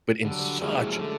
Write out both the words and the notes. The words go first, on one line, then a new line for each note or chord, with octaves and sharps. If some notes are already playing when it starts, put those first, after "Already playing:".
but in such
D3 G3
F#3
G3
F3 G#3 A#3 C#4 E4
D3 A3